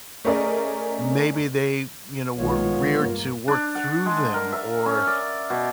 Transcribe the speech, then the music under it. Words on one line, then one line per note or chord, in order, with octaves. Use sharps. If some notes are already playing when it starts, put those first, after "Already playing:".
maybe they, you know, were reared to work through them or,
A3 C#4 G#4 A#4 D5 D#5
B1 D#3 G#3 B3 F4 C#5
G2 A#3
D4
F#5
G#3
A#4
E5
C#4
D5
B2